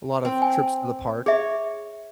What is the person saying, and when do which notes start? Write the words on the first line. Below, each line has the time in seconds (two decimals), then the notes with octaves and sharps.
A lot of trips to the park.
0.25 C4
0.42 G#5
1.26 G#4 C#5 E5